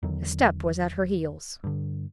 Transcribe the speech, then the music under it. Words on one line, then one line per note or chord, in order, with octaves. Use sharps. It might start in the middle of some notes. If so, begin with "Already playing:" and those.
A step was at her heels.
E2 D3 D#3 F#3
G2 D3